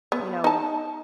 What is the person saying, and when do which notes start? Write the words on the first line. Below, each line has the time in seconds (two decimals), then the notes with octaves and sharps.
you know,
0.12 B3
0.44 D#4 A5